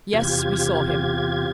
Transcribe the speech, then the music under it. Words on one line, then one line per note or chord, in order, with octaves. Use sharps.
Yes, we saw him.
E2 C3 F4 G4 G#6